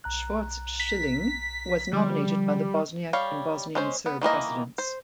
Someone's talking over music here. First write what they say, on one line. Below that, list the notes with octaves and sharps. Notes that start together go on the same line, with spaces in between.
Schwarz-Schilling was nominated by the Bosniak and Bosnian Serb presidents.
B1 A#5 F#6
B6
D3 F3 G3
G3 C#5 F5
G#3 C#4 C5
B3
D#3 E3 A#3 D#5
C5